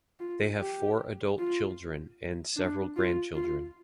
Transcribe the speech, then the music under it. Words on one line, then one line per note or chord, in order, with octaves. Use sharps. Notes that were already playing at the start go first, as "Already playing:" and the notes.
They have four adult children and several grandchildren.
F4
G4
F4
D4
F4
F4